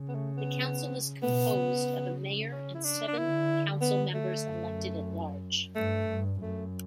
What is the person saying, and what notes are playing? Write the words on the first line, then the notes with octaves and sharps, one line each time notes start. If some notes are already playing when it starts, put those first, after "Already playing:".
The Council is composed of a Mayor and seven Council Members elected at large.
Already playing: C#3
B3
A3
B3
B2 B3
C#3
C#4
E4
D4
D4
D3 E4
B3
A3
F#2
G2 A3
G2
F#2 A3